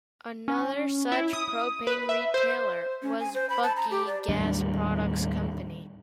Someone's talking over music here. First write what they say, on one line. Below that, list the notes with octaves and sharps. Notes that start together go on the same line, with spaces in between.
Another such propane retailer was Buckeye Gas Products Company.
C#4
E4
D#6
B4
E5
C5
C#4
G#5
C5
B5
A5
A#5
G4
D5
D#2 A2 G3 D4